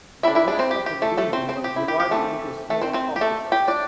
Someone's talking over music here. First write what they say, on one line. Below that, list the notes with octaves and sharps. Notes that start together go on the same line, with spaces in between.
The rest of the building was divided into small offices.
G3 D4 E4 E5
E4 E5
D4 D5
C4 C5
G4
G4
A3 A4
A3 A4
C4 C5
C4 C5
G4
E4
G4
G4
E3 A3 C4 A4
A3 A4
C4 C5
C4 C5
G4
A3 A4
G4 G5
D4 D5